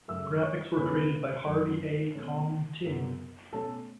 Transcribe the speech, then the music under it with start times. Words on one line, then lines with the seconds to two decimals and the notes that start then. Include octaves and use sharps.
Graphics were created by Harvey A. Kong Tin.
0.08 F#2 C#3 A3 E5 E6
0.43 C#5 C#6
0.77 E2 C#3 A3 C#4 B4 B5
1.46 F#2 F#3 A3
2.15 B2 A3 C#4
2.84 F#2 C#3 F#3 B3
3.53 B2 A3 C#4 A4 A5